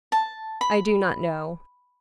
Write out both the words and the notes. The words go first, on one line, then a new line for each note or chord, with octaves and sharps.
"I do not know."
A5
B5